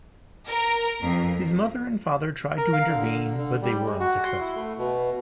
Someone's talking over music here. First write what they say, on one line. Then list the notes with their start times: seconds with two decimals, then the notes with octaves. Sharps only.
His mother and father tried to intervene, but they were unsuccessful.
0.48 A#4
1.03 F2
2.57 A#4
2.73 F5
2.88 D3
3.37 D3
3.62 G3
3.86 G#3
4.00 F#4
4.25 C6
4.40 E4
4.55 A3
4.77 B2